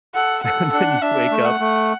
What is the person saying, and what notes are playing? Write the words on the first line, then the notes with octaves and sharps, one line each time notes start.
and then you wake up,
A4 F#5
A4 F#5
D4 F#5
D4 E5
A3
F#5
A3